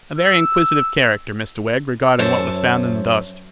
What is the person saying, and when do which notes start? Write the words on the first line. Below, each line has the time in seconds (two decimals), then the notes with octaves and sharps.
A very inquisitive character, Mr Wegg, regarding what was found in the dust.
0.18 E6
2.19 F#2 C5 C#5 E5 A5